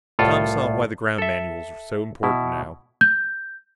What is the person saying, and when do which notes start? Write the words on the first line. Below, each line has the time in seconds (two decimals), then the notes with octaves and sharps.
Tom saw why the ground manuals were so important now.
0.19 C2 A2 F4 A4
1.18 A4 E5
2.23 B2 E4
3.01 G6